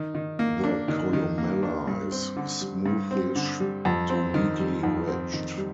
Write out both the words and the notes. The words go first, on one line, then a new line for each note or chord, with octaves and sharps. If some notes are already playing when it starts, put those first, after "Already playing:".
The columella is smoothish to weakly ridged.
Already playing: D#3
D#3
A#3
D4
D#3
D#3
A#3
D4
G2
C4
D3
G3
G2
C4
D3
G3
F2
C4
D#3
G3
F2
C4
D#3
G3